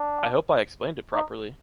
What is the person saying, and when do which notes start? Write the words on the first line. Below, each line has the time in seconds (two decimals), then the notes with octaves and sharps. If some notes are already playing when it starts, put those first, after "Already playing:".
I hope I explained it properly.
Already playing: D4
1.13 D#4